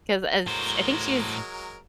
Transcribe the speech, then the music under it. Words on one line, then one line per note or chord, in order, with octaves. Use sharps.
'cause as sh I think she's
A2 F#3 G#3 A#4 C5